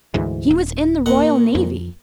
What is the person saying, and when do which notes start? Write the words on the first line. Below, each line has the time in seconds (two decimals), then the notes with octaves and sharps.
"He was in the Royal Navy!"
0.14 D2 G#2 E3
0.51 D#1
1.06 A#2 F#5
1.55 F2